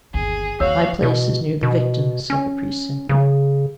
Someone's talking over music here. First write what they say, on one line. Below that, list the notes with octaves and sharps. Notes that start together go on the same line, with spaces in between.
"My place is near the victims," said the priest, simply.
G1 D#2 G#4
D#2 F#4 C#5 F5 E6
B2
B2
C#4
C#3